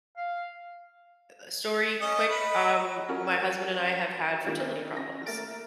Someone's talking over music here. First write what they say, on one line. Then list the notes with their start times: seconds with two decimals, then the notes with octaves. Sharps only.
the story, quick. Um, my husband and I have had fertility problems.
0.17 F5
2.01 C#4 D#5
2.29 B4 D#5
3.09 C#4 F4 F#4 A#4 C#5
4.44 D#3 B3 D4 E4 F4
4.96 C#4 A#6
5.26 A3 A#3 A#4 E5 A6 D7